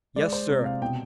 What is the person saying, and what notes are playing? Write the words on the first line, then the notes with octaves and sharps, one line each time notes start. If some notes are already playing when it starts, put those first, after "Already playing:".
"Yes, sir."
G#3 D5
C5
C3
F5
B2 G5